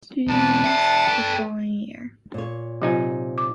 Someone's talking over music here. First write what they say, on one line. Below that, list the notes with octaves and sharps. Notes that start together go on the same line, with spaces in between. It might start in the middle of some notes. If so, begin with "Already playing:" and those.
Studios the following year.
E2 B2 D4 B4 A5
E5 G5
A4 G5
A#2 C#5
C3 F#3 D#4 F4 G#5
D6